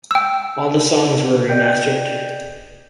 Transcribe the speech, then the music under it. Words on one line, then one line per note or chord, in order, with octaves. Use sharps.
All the songs were remastered.
G5 E6
D5 D#5 G5 G6